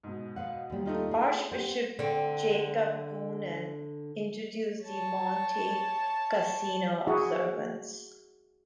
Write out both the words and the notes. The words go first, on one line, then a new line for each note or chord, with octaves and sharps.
Archbishop Jacob Boonen introduced the Monte Cassino observance.
G#2 B2
B4 F5 F#5
D#2 G3
A3 D#4 F4
G#4
B3 G4 C5
D3 C4
C#5 A5
E4 F#4 G#4